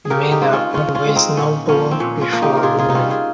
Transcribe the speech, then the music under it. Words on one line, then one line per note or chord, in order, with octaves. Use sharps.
Men are always noble before a woman.
G#4
C#3 G4 A#4
D#4 G4
G#3 C4
C#4 F4
C#3 C#4 F4
C#4 F4
G#3 C4
C4 D#4
A#2 C#4
F3 A#3 C#4
C4
A#2 C#4
C#4 F4
F3 A#3
D#4 G4
A#4
A#2 F4 G#4
F4 G#4
D#4
G3 C4 C#4 F4
F4 G#4